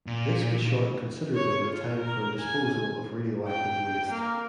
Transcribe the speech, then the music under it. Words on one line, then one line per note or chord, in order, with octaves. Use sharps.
This would shorten considerably the time for disposal of radioactive waste.
A#2
C#5
F4
A#4
G#5
G5
A#3